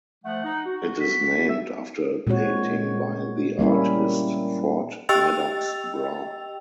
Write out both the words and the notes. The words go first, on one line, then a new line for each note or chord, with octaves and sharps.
It is named after a painting by the artist Ford Madox Brown.
F3 A3 F#5
D#4
F#4
B6
E5
A#2 G#3 C4 F#4 C#5
G3 A#3 C#4 E4
G4 D#5 G5 E6 A6 F7